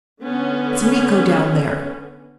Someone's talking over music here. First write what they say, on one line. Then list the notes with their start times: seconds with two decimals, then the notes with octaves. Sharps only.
It's Miko down there!
0.21 D3 B3 C#4